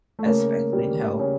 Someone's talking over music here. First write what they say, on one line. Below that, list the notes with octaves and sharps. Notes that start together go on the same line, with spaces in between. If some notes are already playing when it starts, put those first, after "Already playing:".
especially in health,
A3
C#3 A#3
G3
C#3